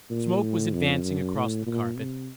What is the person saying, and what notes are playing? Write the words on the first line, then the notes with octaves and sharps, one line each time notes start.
Smoke was advancing across the carpet.
A#2
A2
F2
F#2
A2
A#2
C3